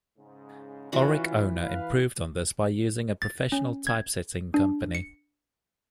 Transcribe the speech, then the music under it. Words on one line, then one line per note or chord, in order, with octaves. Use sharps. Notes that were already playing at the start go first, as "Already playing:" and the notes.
"Oric Owner" improved on this by using a professional typsetting company.
G#2 C#3
E3 C#4 F4 F#4 C#5 F#5
B4 F5
A6
C#4
G#6
D4
C#7